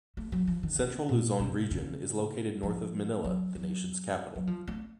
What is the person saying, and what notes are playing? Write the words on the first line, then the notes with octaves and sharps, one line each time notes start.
Central Luzon Region is located north of Manila, the nation's capital.
A3
F#3
F3
D#3
C#3
A#2
C3
C#3
F3
F#3
F#3
F#3
F3
A3